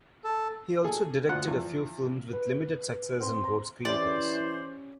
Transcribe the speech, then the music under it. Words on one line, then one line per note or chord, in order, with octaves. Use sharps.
He also directed a few films with limited success, and wrote screenplays.
A4
G#4 A4
D2 F4 F#5 F#6
E2 F3
B4
C4 C6
A#5
E3 C#4 E4 G4 C5 D5